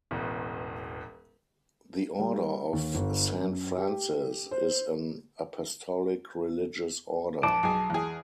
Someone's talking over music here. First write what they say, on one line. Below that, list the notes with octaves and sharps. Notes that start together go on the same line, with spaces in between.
The Order of Saint Francis is an Apostolic religious order.
E1 A1 E2
G3
D#2
G1
F#2
G4
C5
A#1 A5 D6
B1 G#4
E2 G#4